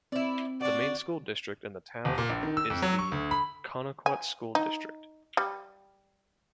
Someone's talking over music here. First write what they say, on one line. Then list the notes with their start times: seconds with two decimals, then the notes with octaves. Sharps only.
The main school district in the town is the Connetquot School District.
0.12 C4 E4 D5
0.61 D4 F#4 D5
2.05 D#1
2.18 A#2
2.30 A#1
2.43 D#3
2.57 E6
2.70 F2
2.82 F#3
2.99 C#6
3.12 D2
3.31 B5
4.06 G#5
4.55 D#4
5.37 G3